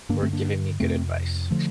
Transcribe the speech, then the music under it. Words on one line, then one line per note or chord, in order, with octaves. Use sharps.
were giving me good advice,
G2 D3 A#3 D4
A3 C4
A#3 D4
F2 C3 A3 C4
D3 F3 A3